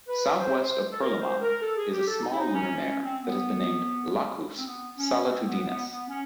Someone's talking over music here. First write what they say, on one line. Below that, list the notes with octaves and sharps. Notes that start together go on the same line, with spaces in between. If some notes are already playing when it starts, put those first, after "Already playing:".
Southwest of Perel'man is a small lunar mare that has been named Lacus Solitudinis.
B4
C5
A4
A#4
C5
A#4
A4
G#4
G4
A4
D#4
E4
D#4
C#4
C#4
C4
B3
C4
B3
C#4
C4
B3
B3
B3
C#4